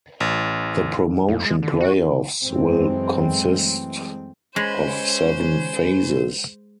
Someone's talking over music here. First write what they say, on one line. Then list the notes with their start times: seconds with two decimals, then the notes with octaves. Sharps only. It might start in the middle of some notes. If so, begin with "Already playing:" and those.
The Promotion Play–offs will consist of seven phases.
0.20 A1
1.29 F2
1.46 G#3
1.62 D3
1.81 F#4
2.43 F#2 E3 G#3 A3 C4
4.56 G#3 C#4 B4 C5 B5